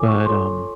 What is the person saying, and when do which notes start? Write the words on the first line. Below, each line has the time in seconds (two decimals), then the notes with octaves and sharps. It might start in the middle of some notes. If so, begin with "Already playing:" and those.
But, um,
Already playing: F4 A4 C#5 G#5 D6
0.08 C#6
0.26 F4 A4 C#5 C6